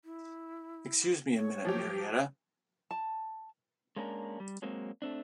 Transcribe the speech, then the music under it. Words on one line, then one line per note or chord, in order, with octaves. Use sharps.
Excuse me a minute, Marietta.
E4
C#5
F3 F#3 G4
A5
G#3 A#3 C#4 D4 A#4
G3
F#3 G#3 A#3 C4
A3 C4 D4